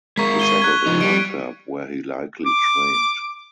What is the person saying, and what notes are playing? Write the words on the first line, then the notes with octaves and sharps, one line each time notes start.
He settled in Antwerp where he likely trained.
G#3 A#4 C#6 B6
C#6 D#7 G7
F#6 G#6
F3 D#4
G3 D7
D6